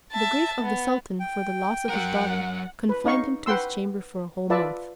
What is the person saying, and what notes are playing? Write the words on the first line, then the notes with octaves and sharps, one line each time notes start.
The grief of the sultan for the loss of his daughter confined him to his chamber for a whole month.
E5 A5
B3
G5
F#3 A#4 F#5
B4
C#4 D#4 D#5 F5 C#6
B4 F#5 G5 C6 E6
F4 B4 D5 E5 A5